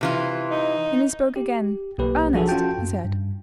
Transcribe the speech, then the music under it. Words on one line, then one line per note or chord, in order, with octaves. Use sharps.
Then he spoke again: 'Ernest,' he said.
C3 E3 F4
D#4
G4
B1 A#3 G4 B4
F3 D4 F#4 G#4 A4
C#4 F4 F#4 G5 A5
F#2
G2